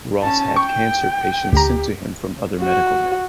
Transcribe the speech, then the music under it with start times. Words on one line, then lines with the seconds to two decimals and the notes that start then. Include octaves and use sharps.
Ross had cancer patients sent to him from other medical men.
0.22 C#4 A5
0.56 G5 C#6
1.53 D2 G4 A#5
2.61 F#4